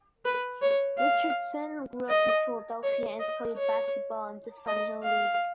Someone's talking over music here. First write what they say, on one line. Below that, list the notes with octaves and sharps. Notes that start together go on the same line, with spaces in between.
Richardson grew up in Philadelphia, and played basketball in the Sonny Hill League.
B4
C#5
F5
D#5
C#5
D#5
C#5
D#5
F5